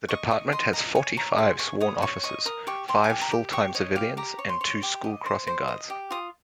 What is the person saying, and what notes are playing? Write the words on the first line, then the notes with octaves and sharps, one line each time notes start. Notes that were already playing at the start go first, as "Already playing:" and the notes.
The Department has forty-five sworn officers, five full-time civilians and two school crossing guards.
D#5 C#6
D#5 C#6
D#5 C6
D#5 A#5
C#5 G#5
C#5 A#5
G#4 C6
G#4 C#6
C#5 D#6
C#5 C#6
D#5 C#6
A#4 D#6
G4 C#6
G4 C6
G#5
G4
A#5
G4
G4 C#6
C#5 D#5
G4 F5
G4 A#5
C#5
C6
C#5
G4
D#5
C5
C5
D#5
G4
F4 D#6